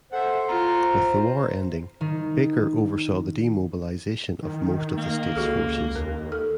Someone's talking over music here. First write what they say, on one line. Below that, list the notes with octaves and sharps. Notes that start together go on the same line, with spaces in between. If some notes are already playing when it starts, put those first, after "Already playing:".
With the war ending, Baker oversaw the demobilization of most of the state's forces.
A4 C5 E5 F#5
F4 A#5
D#3
D#3
A#3
C#2 F#4 G#4 A4
D#2 A#4
A4